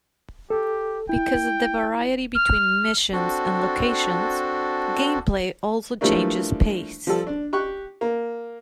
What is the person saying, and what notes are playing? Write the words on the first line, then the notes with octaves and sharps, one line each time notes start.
Because of the variety between missions and locations, gameplay also changes pace.
G4 A4
E4 G5
F6
C4 D4 F#4 A4
E3 F3 G3 A3 A#3 D4
F3 G3 A4
D4
G4 C#6 F#6
A#3